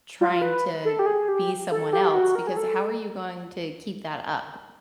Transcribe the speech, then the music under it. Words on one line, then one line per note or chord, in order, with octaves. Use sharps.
trying to be someone else, because how are you going to keep that up,
F4
B4
A4
G4
G#4
G4
A4
G4
G4
F#4
A#4
G#4
A4